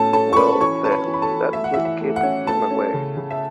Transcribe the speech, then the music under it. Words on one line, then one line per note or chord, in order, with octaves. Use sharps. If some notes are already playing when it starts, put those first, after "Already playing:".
Well! Then, that will keep him away.
Already playing: A2 C#4 A4 A5
C#4 A4 A5
C#6
C#4 B4 B5
E3 C#5 C#6
C#4 A5
B4 B5
E3
B5
A4 A5
E3
A3 E5
F#5
E5
E3
E5
A3
F#5
C#4
A3 A4 A5
C#4
C#3
C#3
E5